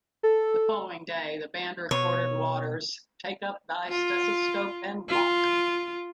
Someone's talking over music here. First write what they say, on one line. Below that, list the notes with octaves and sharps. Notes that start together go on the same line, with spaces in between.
The following day, the band recorded Waters' "Take Up Thy Stethoscope and Walk".
A4
B2 C#5
F4
F4